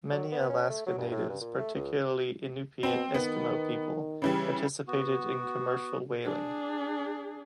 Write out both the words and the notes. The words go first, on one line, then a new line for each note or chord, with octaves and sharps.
Many Alaska Natives, particularly Inupiat Eskimo people, participated in commercial whaling.
F#3
B3
C#4
A3
F#3
G2
A2
G2
A#2
A3
C#2
B2 C4
D#3 B3
C#3 E3 G3
B3 F#4
D4 G#4